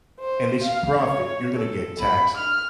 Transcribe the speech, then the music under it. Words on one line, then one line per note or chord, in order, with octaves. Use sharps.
and it's profit, you're going to get taxed
C5
F5
C#5
A4
B5
F6